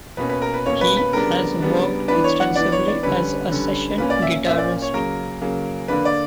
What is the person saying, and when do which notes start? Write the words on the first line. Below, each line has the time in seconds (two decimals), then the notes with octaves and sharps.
He has worked extensively as a session guitarist.
0.17 B2 A#3 C#4 B4
0.29 B4
0.42 A#4
0.54 B4
0.65 B2 A#3 C#4 C#5
0.81 B4
0.97 B4
1.13 C#3 G3 B3 D4 A#4
1.60 C#3 G3 B3 D4
2.08 E3 B3 D4 B4
2.24 C#5
2.40 F#5
2.56 E3 B3 D4 D5
2.72 C#5
2.88 D5
3.03 D3 G3 C#4 B4
3.51 D3 G3 C#4
3.98 A#2 A#3 C#4 B4
4.10 D5
4.22 E5
4.46 A#2 A#3 C#4 E5
4.58 D5
4.82 C#5
4.93 C#3 F#3 A#3 A#4
5.41 C#3 F#3 A#3
5.88 D3 A#3 D4 B4
6.05 D5